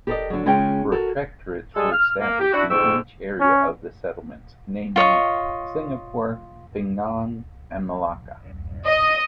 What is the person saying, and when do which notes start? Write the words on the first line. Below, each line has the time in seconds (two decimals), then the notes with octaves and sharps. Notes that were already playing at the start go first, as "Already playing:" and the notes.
Protectorates were established in each area of the Settlements, namely Singapore, Penang and Malacca.
0.07 G4 A4 A#4 C5 D5 D#5
0.30 D3 F#3
0.46 C#3 G#3 C#4 F4 G5 G#5
0.92 F#4 A4 A#4
1.76 G3 G#3 G#4 A4
1.91 F6
2.20 A#3
2.40 G4
2.53 D4 E4 F#4
2.69 F2 G#2 D3 G5 C#6 E6
3.41 C#4
4.96 F4 C#5 D#5 C#6
8.86 D#5